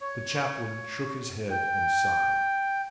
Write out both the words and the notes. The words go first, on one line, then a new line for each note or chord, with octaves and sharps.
The chaplain shook his head and sighed.
C#5
G5